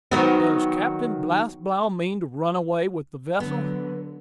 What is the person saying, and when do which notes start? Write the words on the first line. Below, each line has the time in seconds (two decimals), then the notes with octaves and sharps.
"Does Captain Blastblow mean to run away with the vessel?"
0.11 D#3 F#3 B3
3.40 D3 F#3 B3